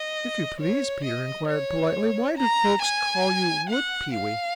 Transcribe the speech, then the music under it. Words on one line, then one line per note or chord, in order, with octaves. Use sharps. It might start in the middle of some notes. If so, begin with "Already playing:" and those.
"If you please," Peter inquired politely, "why do folks call you Wood Pewee?"
Already playing: D#5
C#5
D#5
C#5
A#5
G#5
F#5
F5